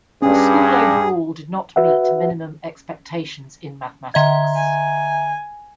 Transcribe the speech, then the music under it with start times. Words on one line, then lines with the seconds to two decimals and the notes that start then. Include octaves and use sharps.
The school overall did not meet minimum expectations in mathematics.
0.22 G2 C#4 G#4
1.76 F#4 B4 E5 F#5
4.14 D3 D#5 E5 A#5 G#6
4.55 G#5